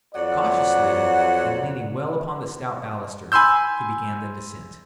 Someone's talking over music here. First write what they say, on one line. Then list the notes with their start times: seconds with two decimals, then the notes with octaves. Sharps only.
Cautiously, and leaning well upon the stout baluster, he began the descent.
0.14 F2 F#3 D5 F#5
3.32 G#5 B5 C6 E6 G6